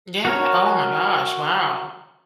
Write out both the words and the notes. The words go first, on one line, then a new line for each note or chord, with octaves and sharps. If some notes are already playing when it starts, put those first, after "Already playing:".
Yeah, oh my gosh, wow.
F#4 A#4 C#5